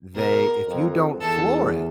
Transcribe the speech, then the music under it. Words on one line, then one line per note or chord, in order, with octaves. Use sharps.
they if you don't floor it
B2 A#4
F2
E2 A4